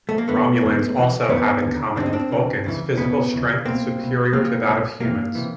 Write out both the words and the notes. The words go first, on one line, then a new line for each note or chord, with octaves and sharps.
Romulans also have in common with Vulcans physical strength superior to that of humans.
A3
A#3
F#2 D3 A3 B3
F#2 D3
C2 C3 E3
C2 C3 E3 B3 C#4
D#2 D3
D#2 D3 C4 D4
D#4
C4 D4
C#2 C#3 E3
C#2 C#3 E3
D#2 C#3 E3 B3 C#4
D#2 C#3 E3
C2 B2 A#3 C4
C2 B2
C2 A#2 A#3 C4
C2 A#2
F2 C3 E3 A#3
C3 E3